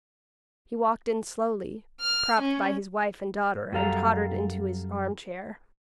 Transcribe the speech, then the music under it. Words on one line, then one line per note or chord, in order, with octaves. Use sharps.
He walked in slowly, propped by his wife and daughter and tottered into his arm-chair.
F6
C#4
F#2 G3 A4 F5 A#5